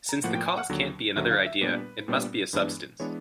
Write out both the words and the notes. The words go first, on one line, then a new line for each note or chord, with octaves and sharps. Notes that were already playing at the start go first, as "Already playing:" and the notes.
Since the cause can't be another idea, it must be a substance.
A#5
A2 F3 A#3 F#5
G5
G#5
F#5
D#2 D3 F#3
D#2 D3 F#3 E5
F5
E5
A#2 G3 B3 D4 B4
A#2 G3 B3 D4
G2 E3 G#3 B3 D4
E3 G#3 B3 D4 C#5